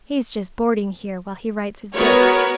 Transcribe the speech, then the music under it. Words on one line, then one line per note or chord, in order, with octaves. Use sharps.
He's just boarding here, while he writes his book.
B3 F#4 A#4 B4 C#5